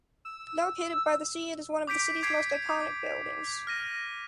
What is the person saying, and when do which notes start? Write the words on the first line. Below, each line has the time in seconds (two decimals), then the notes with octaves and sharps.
Located by the sea, it is one of the city’s most iconic buildings.
0.25 E6
1.87 D6 G6 B6 D7
2.23 D6 G#6 B6 C7 D7
2.69 D6
3.67 F6 A#6 D#7